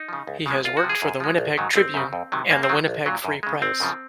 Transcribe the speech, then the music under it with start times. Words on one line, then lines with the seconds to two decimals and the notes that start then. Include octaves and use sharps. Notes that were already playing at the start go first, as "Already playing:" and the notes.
He has worked for the "Winnipeg Tribune" and the "Winnipeg Free Press".
Already playing: D#4
0.09 C#3 F3
0.27 C#2
0.46 C#3 F3 G#3
0.64 C2 F4
0.77 F#4
0.83 C3 F3
0.89 G#4
1.02 F#2
1.20 F3 G#3
1.38 A#1
1.58 G#2 D#3 F#3
1.76 G#1 C4
1.94 F#2 C#3
2.13 F2
2.32 C3 D#3 F#3
2.50 F#2 A#3
2.63 C4
2.69 D#3 F#3
2.88 A#1
3.06 A#2 F#3
3.25 F#2
3.43 C#3 G#3
3.62 G#1 C4
3.80 F#2 C#3 F3